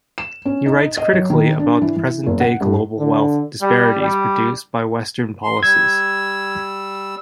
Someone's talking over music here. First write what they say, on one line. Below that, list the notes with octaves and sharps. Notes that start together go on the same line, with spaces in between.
He writes critically about the present-day global wealth disparities produced by Western policies.
E7
C#4
D#4
D#5
F#3
D#3
D4
E3
E3
F#1
F#5
G2
D3
G3
G3
C6
G3 E6 G#6